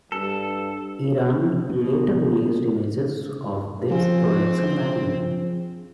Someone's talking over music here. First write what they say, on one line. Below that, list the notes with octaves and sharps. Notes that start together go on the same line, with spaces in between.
Iran later released images of this production line.
G2 A4
B2
F3 C4 F4 G#4